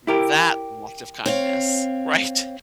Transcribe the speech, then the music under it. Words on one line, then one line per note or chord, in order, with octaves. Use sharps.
That act of kindness. Right?
E4 G4 A#4
C4 C#5 F5